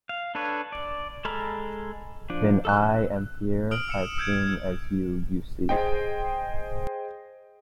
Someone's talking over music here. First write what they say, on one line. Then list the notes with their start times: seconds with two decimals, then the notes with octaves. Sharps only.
Then I am here as soon as you, you see.
0.09 F5
0.35 D4 A4 B4 C#5
0.72 D5
1.25 G#3 A4 A#5 B5 F6
2.30 F3 D4
2.65 A4 E6 F#6
3.71 D#6 F6 D7 F#7
3.88 E6 C#7 E7
4.18 E6 G6 G#6 D7
5.69 G#4 C5 D#5 G5